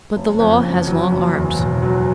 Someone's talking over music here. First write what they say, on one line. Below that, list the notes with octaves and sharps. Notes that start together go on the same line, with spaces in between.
But the law has long arms.
F#1
F2
C#3
F#3
F#1
E2
B2
F#3